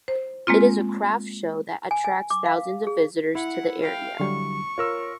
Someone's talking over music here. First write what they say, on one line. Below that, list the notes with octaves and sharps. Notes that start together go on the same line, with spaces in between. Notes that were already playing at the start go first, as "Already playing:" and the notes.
It is a craft show that attracts thousands of visitors to the area.
C5
G#3 A#3 C4 F4
G#5
G#5
D6
F5
G#4
E4 F#5
F5 G5
D3 F#3 G3 C#6
F4 A#4 C#5 E6